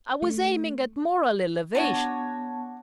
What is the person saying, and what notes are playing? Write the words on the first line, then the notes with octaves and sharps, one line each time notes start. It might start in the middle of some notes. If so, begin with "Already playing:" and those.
I was aiming at moral elevation....
A3
B3 D4 F#4 C#5 A5